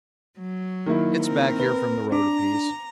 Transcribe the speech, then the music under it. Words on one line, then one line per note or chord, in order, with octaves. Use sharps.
It's back here from the road a piece.
F#3
D#3 A#3 E4
C4 A#4
B4
D4 A#5 D6